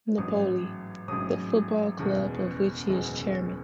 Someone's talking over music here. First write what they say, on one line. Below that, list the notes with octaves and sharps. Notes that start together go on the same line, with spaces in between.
Napoli, the football club of which he is chairman.
A1 G#2 F#3 D#6
A1 G#2 F#3 D#6
F#1 E2 B2 G#3
F#1 E2 B2 G#3